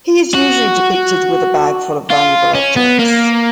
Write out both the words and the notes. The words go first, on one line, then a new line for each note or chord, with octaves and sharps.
He is usually depicted with a bag full of valuable objects.
F#4
F4
C#4
B3
A#3